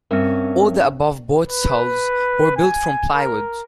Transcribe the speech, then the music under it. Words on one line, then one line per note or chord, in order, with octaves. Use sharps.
All the above boats' hulls were built from plywood.
G2 C4 C#4 A#4 E5
B4
G#5
A#4